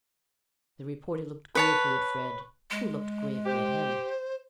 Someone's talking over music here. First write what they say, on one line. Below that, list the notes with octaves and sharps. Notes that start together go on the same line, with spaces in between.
The reporter looked gravely at Fred, who looked gravely at him.
B4 C#5 A5
G#3
G4 C5